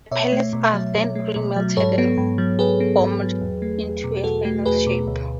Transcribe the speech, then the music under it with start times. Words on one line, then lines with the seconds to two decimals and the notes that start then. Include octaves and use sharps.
The pellets are then re-melted and formed into the final shape.
0.11 B2 C#5 E5
0.32 A3
0.53 B2
0.73 F#3
0.94 B2
1.15 A3
1.36 B2
1.56 F#3
1.77 G#2 A4 C#5
1.98 B3
2.17 G#2
2.38 F#3
2.59 G#2 G#4 B4
2.80 B3
3.01 G#2
3.21 F#3
3.41 E2
3.62 A3
3.84 E2
4.04 B2
4.24 E2 F#4 A4
4.45 A3
4.66 E2 G#4 B4
4.87 B2
5.07 D2